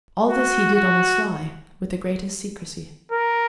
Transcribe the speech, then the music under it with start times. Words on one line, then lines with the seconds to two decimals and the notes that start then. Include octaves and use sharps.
All this he did on the sly, with the greatest secrecy.
0.28 F#4
0.75 F#4
3.12 A#4